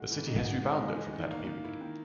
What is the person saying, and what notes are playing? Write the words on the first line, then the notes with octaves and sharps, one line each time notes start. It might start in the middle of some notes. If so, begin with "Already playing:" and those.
The city has rebounded from that period.
Already playing: G#3 F#4
E3
D#4
F#4
G#3
E3
D#4
D#3
A#3
D#3
E4
D#3